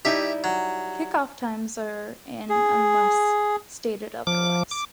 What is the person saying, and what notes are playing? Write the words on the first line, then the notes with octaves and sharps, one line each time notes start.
Kickoff times are in unless stated otherwise.
G3 D#4 E4 G4 E5
F#3
G#4
F3 D6
D6